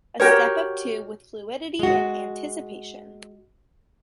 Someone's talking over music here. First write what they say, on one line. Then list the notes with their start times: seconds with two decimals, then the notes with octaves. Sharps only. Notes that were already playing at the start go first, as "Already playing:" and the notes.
A step of two with fluidity and anticipation.
0.20 F#4 G4 A#4 C#5
1.79 G#3 F#4